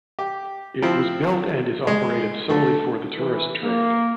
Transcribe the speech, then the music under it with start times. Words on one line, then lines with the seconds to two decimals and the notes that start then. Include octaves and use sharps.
It was built and is operated solely for the tourist trade.
0.19 G4
0.82 F3 C4 E4
1.87 G#3
2.49 D3 A3
3.17 E3
3.62 A#3